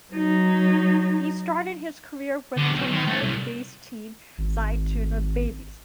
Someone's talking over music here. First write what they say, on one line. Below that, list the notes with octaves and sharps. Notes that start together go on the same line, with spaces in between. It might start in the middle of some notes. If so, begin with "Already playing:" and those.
He started his career with Tamale based team Zaytuna Babies.
F#3 D#4
D3 B3
B1
D#3
A3 C#4
C2
G#1